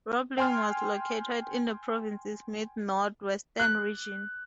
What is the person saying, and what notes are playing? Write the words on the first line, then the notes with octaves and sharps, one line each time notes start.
Roblin was located in the province's mid-northwestern region.
G5 G#5 C6 F6
F#6